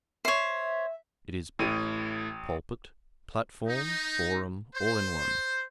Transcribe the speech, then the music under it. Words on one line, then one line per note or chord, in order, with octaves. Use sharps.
It is book, pulpit, platform, forum, all in one.
C5 C#5 E5
A1 A2 D#7
D#4
C5